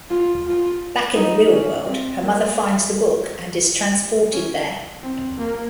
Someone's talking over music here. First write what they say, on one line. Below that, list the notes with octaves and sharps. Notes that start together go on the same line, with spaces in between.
Back in the real world her mother finds the book and is transported there.
F4
F4
D#4
C#4
C4
A#3
C#4
C4
A#3